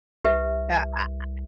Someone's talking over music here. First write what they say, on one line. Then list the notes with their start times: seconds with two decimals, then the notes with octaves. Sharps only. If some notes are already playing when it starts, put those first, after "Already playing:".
Yeah I I
0.24 C2 G4 B4 E5